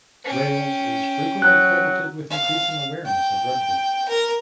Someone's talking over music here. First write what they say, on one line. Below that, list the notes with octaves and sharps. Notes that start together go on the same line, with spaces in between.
Rails is frequently credited with increasing awareness of Ruby.
C#4 G5
F#3 F#6
F5
G5
A#4